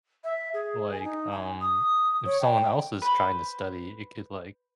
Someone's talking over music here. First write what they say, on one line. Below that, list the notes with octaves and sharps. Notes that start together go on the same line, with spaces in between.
like, um, if someone else is trying to study, it could, like
E5
G#4
G#5
D#4
G#5
D#6
C#5
G5
B4 C5